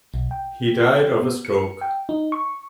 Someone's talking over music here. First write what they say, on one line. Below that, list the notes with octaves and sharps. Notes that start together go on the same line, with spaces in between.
He died of a stroke.
B1
G5
B3
C#7
G5
D#4
C#6